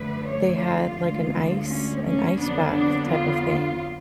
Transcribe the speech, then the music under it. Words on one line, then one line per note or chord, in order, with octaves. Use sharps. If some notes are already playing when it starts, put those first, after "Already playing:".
they had, like, an ice an ice bath type of thing.
Already playing: F#2 D3 F3 A3 B4
C#5
F4
D2 D3 G#3
C#4
C#4
F2 D3 F#3 B3 D4
D4
F4